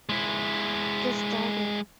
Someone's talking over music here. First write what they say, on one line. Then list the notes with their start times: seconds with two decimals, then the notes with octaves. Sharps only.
Get Started!
0.09 G#3 E4